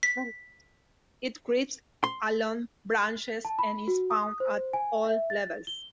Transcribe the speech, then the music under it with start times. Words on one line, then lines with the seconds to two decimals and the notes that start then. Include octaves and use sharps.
It creeps along branches and is found at all levels.
0.03 B6
2.04 C6
3.45 A5
3.59 B5
3.88 F#4
4.11 D#6
4.40 C5
4.73 G#5
5.05 E5
5.30 A6
5.67 G7